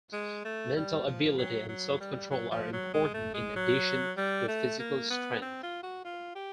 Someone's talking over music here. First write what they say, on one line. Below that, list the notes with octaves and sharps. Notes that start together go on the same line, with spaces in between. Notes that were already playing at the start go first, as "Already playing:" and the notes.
Mental ability and self-control are important in addition to physical strength.
G#3
A3
G3
F3
F#3
F#3
G3
F#3
F3
F#3
G#3
A3
G#3
F#3
G3
A3
A#3
B3
C4
F4
F#4
F4
G4